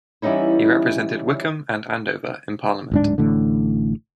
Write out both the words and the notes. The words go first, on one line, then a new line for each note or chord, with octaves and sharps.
He represented Wycombe and Andover in Parliament.
E3 G3 B3 C#4 D#4 E4
D1 G#2 D4
A1 A2 D3